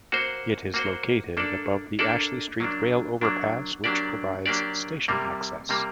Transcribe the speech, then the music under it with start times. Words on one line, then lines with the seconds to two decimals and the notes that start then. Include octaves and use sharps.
It is located above the Ashley Street rail overpass, which provides station access.
0.12 A#3 F#4 C5
0.74 A#3 F#4 C5
1.37 A#3 D4 A4 D5
1.99 A#3 D4 A4 D5
2.60 F#3 A#3 D4
3.21 F#3 A#3 D4
3.84 F#3 A#3 D4 G4 D5
4.46 F#3 A#3 D4 G4 D5
5.08 C3 G3 A#3
5.69 C3 G3 A#3